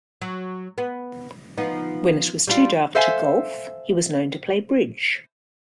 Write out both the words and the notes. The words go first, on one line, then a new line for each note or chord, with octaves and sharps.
When it was too dark to golf, he was known to play bridge.
F#3
B3
F3 B3 D#4
G3 D4 F4
A4 C5 E5 F5 G#5